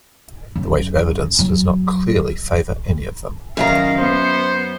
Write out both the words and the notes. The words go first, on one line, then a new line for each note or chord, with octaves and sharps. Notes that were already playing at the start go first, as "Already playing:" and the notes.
The weight of evidence does not clearly favor any of them.
F#2
F#3
F#2 D#3 G#4 F5 A#5
B3 C5